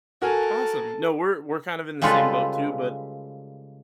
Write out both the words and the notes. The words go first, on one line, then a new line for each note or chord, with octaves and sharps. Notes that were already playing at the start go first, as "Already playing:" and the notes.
Awesome. No, we're we're kind of in the same boat too, but
F#4 A4 A#4 G#5
C#3 G3 G#3 F4 A4 B4